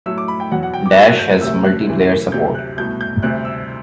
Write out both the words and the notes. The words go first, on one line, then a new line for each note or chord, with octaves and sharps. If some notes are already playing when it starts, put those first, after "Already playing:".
"Dash" has multiplayer support.
A2 F#3 A3 E6
D6
B5
G5
E2 B2 F#3 F#5
F#5
G5
D6
F#6
F#2 F#3 A3 E6
F#6
G6
F#6
D2 C3 F#3 A3 E6
F#6
D2 C3 E3
D2 C3 F#3 G6
F#6
C2 B2 A3 G6
G6
D2 C3 G3 F#6
E6